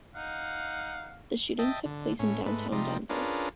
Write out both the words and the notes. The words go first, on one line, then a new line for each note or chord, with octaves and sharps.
The shooting took place in downtown Denver.
D#4 F5 F#5
D#5 E5 G5 A5
D3
A2 C#4
G#2 A3 B4
C3 F3 G3 D#4
C#4 D4 F4 G#4 A#4 B4